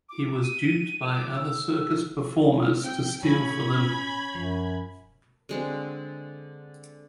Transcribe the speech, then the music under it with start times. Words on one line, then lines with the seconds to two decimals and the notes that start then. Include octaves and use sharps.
He was duped by other circus performers to steal for them.
0.09 D6
0.44 D#7
1.12 D6
1.35 E6
1.75 E6
2.84 C4 G5
3.23 A2 C#4 B5 G#6
4.35 F#2 F3
5.49 D3 G#3 C4